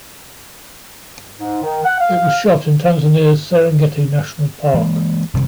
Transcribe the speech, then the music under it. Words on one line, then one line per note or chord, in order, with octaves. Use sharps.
It was shot in Tanzania's Serengeti National Park.
G#2
D#3
F#5
F5
E3 G#3 A#3
F#1 C3 D#3 G3